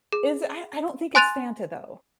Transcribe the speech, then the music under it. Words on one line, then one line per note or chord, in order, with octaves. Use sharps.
Is I I don't think it's Fanta though.
G#4
G#5 C6 F#6 A6 D#7 F7